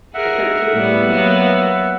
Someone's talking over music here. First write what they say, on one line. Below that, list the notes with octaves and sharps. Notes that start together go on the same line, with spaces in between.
different to me.
G#4 A#4 E5 F#5
A2 G3 B3
F#3 A#3 B3